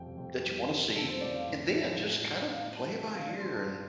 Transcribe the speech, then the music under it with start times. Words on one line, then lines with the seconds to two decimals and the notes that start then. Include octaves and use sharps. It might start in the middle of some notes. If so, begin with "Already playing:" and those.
that you wanna see, and then just kinda play it by ear, and
Already playing: F2 C3 G3 G5
0.18 F2
0.44 G3 G4
0.69 D3
0.95 F2 A4
1.08 C5
1.21 F2 D5
1.34 F5
1.47 A2
1.72 F3
1.99 A2
2.25 F3
2.50 A2 F5
2.76 G3 A5
3.02 A2 A5
3.15 F5
3.27 G3 D5
3.41 C6
3.53 G2 A5